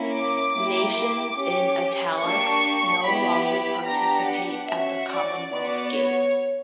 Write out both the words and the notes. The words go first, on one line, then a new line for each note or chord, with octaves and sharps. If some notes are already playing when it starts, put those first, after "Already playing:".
Nations in "italics" no longer participate at the Commonwealth Games.
Already playing: A#3 C#4 E4
D6
A#3 E4 G4
D6
C#4 G4
A#3 D4 G4 C#6
B3 E4 G4 B5
B5
B3 D4 G4 A#5
F#5
C#4 F#4 E5
D5
B3 F#4 D5
C#5